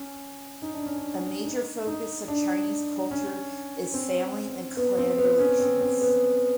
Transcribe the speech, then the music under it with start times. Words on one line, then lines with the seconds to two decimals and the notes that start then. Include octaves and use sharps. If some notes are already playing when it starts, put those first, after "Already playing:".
A major focus of Chinese culture is family and clan relations.
Already playing: C#4
0.62 D#4
0.74 D4
0.86 C#4
0.98 D4
1.45 D#4
1.87 D#4
2.28 D4
3.11 C#4
3.94 C4
4.77 B3
4.98 C4
5.18 B3
5.39 C#4
5.60 C4
5.81 C4
6.01 B3